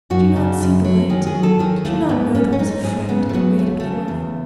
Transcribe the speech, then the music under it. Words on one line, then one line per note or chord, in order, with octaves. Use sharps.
Did you not see the light, did you not know there was a friend that waited for you?'
F#2 F#4
C#3
F#2
F#3
D#3 G#4
G#4
F#3
A4
D#3 G#4
D#2 A3
G#2 B3
G#2 C#4
C#4
G#2 D#4
D#4
G#2 G#4
C#3 B3
A3
F#3 B3
D#2 A3
C#3 A3
E2